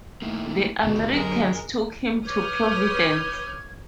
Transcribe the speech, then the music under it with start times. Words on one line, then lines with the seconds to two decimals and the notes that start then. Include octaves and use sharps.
The Americans took him to Providence.
0.22 A3 A#3 D#4 E4
0.83 D#2 B2 D3 G4
1.13 F#2 F#3 G#3 A#4
2.26 B4 C#5 D6 D#6 F6 G6 G#6